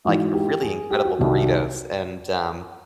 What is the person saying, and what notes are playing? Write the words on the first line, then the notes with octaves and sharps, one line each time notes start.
like, really incredible burritos, and, um,
G#2 E3 F#4
G4
G#4
G4
F#4
C2 C3 D#3 F#4